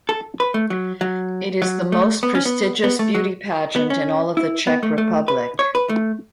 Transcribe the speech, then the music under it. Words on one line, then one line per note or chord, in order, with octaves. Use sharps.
It is the most prestigious beauty pageant in all of the Czech Republic.
A4
B4
A3
F#3
F#3
F#3
A3
B3
C#4
B3
B3
A3
F#3
B3
C#4
E4
B3
A3
A3
B4
C#5
B4
A3